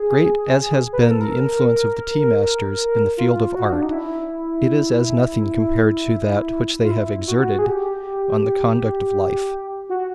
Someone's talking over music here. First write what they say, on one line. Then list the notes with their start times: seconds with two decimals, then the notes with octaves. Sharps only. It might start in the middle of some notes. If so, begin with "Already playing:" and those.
Great as has been the influence of the tea-masters in the field of art, it is as nothing compared to that which they have exerted on the conduct of life.
Already playing: G#4
0.93 B4
1.02 A#4
1.11 A4
1.21 A#4
1.68 A#4
3.17 F4
3.54 F#4
3.73 D4
3.82 D#4
3.92 E4
6.83 F4
6.91 E4
7.28 F#4
7.59 G#4
7.65 G4
9.90 F#4